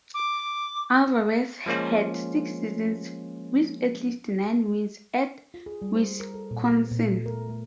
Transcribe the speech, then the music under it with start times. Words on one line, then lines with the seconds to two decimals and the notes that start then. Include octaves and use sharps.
Alvarez had six seasons with at least nine wins at Wisconsin.
0.14 D6
1.66 F3 G#3 A#3 C#4 F4
5.54 F4
5.66 G#4
5.82 G3
5.95 C5
6.20 A#4
6.34 A4
6.51 A#2
6.71 B3
6.91 A#2
7.12 A3
7.26 A#4
7.49 A3